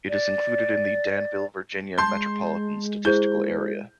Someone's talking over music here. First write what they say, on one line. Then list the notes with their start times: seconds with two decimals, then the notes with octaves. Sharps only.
It is included in the Danville, Virginia Metropolitan Statistical Area.
0.09 D5
1.98 G#3 A5 C6 G6
3.05 E4 G#4 C5 G6